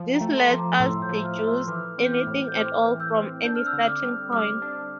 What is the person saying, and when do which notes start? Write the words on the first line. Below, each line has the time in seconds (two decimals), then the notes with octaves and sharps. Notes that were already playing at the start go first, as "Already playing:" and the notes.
This lets us deduce anything at all from any starting point.
Already playing: F3
0.14 G5 A#5
0.21 A3
0.37 A5 C6
0.50 F3
0.58 A#5 D6
0.80 A2 C6 E6
1.02 E6 G6
1.09 F3
1.24 D6 F6
1.39 A3
1.46 C6 E6
1.68 E3 D6 F6
1.98 C4
2.05 G6
2.12 D6 F6
2.27 A2
2.48 G6
2.56 C4 D6 F6
2.85 E3
3.00 E6 G6
3.15 C4
3.44 D4 G6
3.55 F6
3.66 E6 G6
3.73 D3
3.88 D6 F6
4.03 G3
4.32 G3 D6 F6
4.62 D4